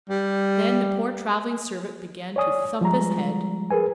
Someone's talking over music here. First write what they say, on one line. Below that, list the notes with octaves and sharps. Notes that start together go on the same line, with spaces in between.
Then the poor travelling servant began to thump his head.
G3
C#5 D5 G#5 D#6
F3 G3 G#3 A#5
G#4 A#4 B4 G#5